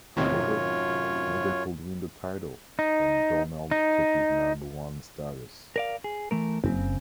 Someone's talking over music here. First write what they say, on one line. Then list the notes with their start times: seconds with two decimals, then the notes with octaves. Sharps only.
However, neither could win the title and Donald kept his number one status.
0.17 F#2 A2 C3 D#3 F4 C#5
2.79 D#4
3.71 D#4
5.76 A#4 D5 F5
6.04 G#4
6.31 E3 A3 A#4
6.64 F#1 C#3 C4